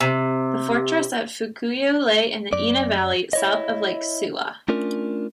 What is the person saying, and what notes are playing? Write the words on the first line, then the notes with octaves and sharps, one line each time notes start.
The fortress at Fukuyo lay in the Ina valley, south of Lake Suwa.
C3
F#2 D5
E4 C#5 D#5
A3 C#4 D4 F4 A#4